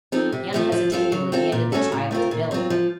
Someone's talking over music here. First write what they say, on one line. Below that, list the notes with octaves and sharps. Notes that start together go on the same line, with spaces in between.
He unhesitatingly handed the child to Billie.
F3 C4 D#4 A4
C3
F3 A3 C4
F3
C4 F4 A4
F#3
C4 F4 A4
A#2
A3 C#4 F#4 A4
A2
A3 C4 F4 A#4
A#2
F#3 C4 F4
F3